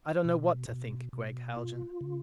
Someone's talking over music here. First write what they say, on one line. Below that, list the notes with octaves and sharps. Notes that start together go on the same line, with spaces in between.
"I don't know what to think, Gregg Haljan...."
B2
B2
B2
F4
C#3